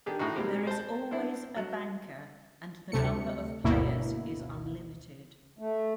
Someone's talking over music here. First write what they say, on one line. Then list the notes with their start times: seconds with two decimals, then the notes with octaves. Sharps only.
There is always a banker, and the number of players is unlimited.
0.06 D#3 D4 G4 G#4
0.19 A2 E3 D#4 F#4
0.36 B2 G3 G#3 A#3 C4 G4
0.67 C5 A5
1.11 C4 D4 E4
1.56 F#3
2.92 D2 C3 A3 C#7
3.64 G1 D2 B2 A#3 E4
5.59 A3